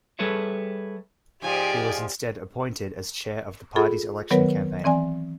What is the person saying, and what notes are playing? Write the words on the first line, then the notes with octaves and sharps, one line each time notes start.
He was instead appointed as chair of the party's election campaign.
G3 G#4 A4 B4 C#5 E5
G#2 F3 G4 D5 G#5
F4 G#4 A4 B5
D#3 F#3 B3 A#4 B4 C#5
E3 C4 D5 G#5